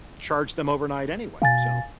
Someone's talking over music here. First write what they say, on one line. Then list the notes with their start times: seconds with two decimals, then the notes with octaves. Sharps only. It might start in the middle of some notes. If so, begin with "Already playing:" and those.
charge them overnight anyway, so
1.42 B2 F5 G#5 A6